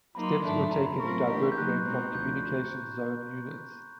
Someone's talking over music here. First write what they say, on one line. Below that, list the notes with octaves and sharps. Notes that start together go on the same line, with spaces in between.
Steps were taken to divert men from Communications Zone units.
F#3 A#3 D#4 B5
C6
B5
G#2 D#3 F#3 A3 D4
F#2 D3 F#3 A#5
B5
F#3 A3 C4 F4 A#4 C#6
E3 A3 D4 G4
G6
F#3 A#3 D#4 F#6
B2 G#3 C4 D#4
D2 D3 F3 G6